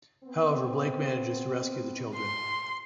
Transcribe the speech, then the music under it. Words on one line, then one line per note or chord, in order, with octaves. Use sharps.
However, Blake manages to rescue the children.
B3 C4
C6